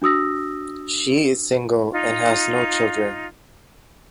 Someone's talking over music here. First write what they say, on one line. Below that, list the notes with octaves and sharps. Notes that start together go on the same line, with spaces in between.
She is single and has no children.
D4 F#4 D#6 E6 A#6
D#4 F4